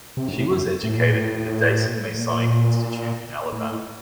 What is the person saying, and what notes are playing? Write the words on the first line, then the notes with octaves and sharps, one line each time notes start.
She was educated in the Dayton Masonic Institute in Alabama.
C3
F#2
A2
F#2
A2
A#2
A2
A2
A#2
A2